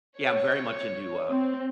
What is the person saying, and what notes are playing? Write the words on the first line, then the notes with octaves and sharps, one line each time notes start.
Yeah, I'm very much into, uh,
C#5
C4